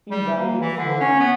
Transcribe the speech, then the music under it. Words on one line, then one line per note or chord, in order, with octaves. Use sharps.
He died in Siena.
G3
A#3
E3
D3
C#4
B3